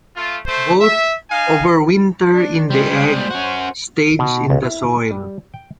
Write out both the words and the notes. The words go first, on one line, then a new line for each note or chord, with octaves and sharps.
Both overwinter in the egg stage in the soil.
A3 F4
A3 C5
E5
D#4 F5 G#5
D4
G3 G#3 C5
C#4 F#4
B2
C#2
E4
G3
G5